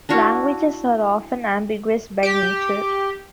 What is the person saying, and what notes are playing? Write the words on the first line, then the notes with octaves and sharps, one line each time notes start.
Languages are often ambiguous by nature.
D4 E4 F#4 F5
G4